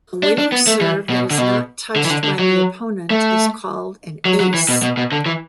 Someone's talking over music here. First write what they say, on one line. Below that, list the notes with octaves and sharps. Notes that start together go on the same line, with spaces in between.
A winning serve that is not touched by the opponent is called an "ace".
D4
D4
B3
A3
E3
B2
D3
B2
D3
E3
D3
D3
F#3
A3
F#3
F#3
E3
B2
B2
B2
D3
E3